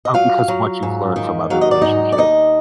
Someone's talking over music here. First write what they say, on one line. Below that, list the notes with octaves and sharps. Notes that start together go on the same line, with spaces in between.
Oh, because what you've learned from other relationships.
D#5
F#3 F4 F5
F#3
G#2
D#3
F#3 F5
D#5
D5
G#2 D#4 D#5
D5
D#2 D#4 D#5